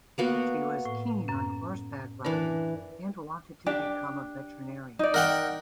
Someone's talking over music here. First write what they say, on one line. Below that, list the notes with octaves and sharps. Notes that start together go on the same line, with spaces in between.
She was keen on horseback riding and wanted to become a veterinarian.
A#3 B3 F#4
A2
F#2 C#4
E3 D4 A#4
D4 G4
D#4 D5
A#4 F#5 G5